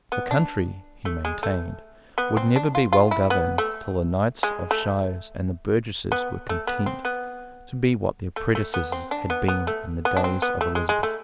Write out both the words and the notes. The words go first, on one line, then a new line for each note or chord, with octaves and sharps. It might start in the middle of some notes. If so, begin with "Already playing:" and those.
The country, he maintained, would never be well governed till the knights of shires and the burgesses were content to be what their predecessors had been in the days of Elizabeth.
B3
D4
A3
G#3
A3
B3
C4
D4
F4
F4
E4
B3
A3
G#3
A3
B3
A3
B3
C4
B3
A3
A3
B3
C4
D4
B3
B3
A3
B3
D4
C4
B3
A3
G#3
G#3
A3